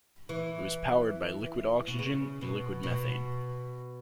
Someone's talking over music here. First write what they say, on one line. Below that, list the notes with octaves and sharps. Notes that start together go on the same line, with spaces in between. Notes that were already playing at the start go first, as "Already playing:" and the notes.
It was powered by liquid oxygen and liquid methane.
E3
B2
C#3
B2
B2